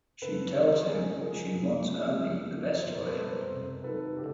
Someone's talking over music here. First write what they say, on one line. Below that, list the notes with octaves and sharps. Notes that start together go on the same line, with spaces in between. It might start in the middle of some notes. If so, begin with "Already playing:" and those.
She tells him she wants only the best for him.
C#3 A4 B4
F#3
C#3 G#4 A#4
F3 G#4 A#4
C3
F3
C#3
F3
B2 A#4 C5
A4 B4
G3
A#4 C5
C3
D#3 F#3 A4 B4
C#3 G4 A4